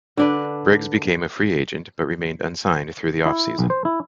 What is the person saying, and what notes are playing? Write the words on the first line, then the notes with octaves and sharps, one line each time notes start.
Briggs became a free agent but remained unsigned through the offseason.
D3 D4 B4
E4
B1
C5
E4